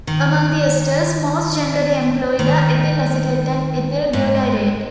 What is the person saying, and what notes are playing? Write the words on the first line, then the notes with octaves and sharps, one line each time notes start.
Among the esters most generally employed are ethyl acetate and ethyl butyrate.
D#3
D#3
G#2